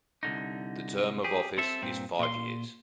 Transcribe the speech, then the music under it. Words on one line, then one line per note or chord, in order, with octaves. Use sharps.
The term of office is five years.
C2 D3 D#4
G4 G#4
C4 A4 E5
G2 A#2 C4
A#2 C6